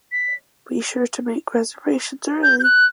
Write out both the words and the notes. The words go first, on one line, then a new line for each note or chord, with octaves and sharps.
Be sure to make reservations early!
B6
G6
G6
F#6